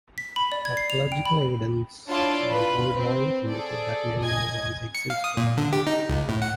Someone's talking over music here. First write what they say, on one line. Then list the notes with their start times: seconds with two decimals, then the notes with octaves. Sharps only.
Archaeological evidence and old drawings indicate that many more once existed.
0.18 B6
0.36 B5
0.52 D5
0.65 G#6
0.77 C7
0.90 F7
1.12 G5
1.25 B5
2.09 D4 E4 F4 C#5 D5 A5
2.50 F4 B4 B5
2.95 C4
3.49 G#4 A4 D5
4.21 D#5 G#5 G#6
4.95 C#7
5.10 F5
5.24 D#6
5.37 A#2
5.57 D3
5.73 G4
5.87 D#4
6.10 C#2
6.29 A2
6.42 F#5